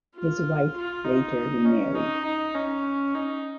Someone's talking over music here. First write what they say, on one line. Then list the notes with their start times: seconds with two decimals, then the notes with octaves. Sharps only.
His wife later remarried.
0.16 F4
0.76 F4
1.05 D#4
1.65 C#4
1.95 D#4
2.25 D#4
2.55 C#4
3.15 D#4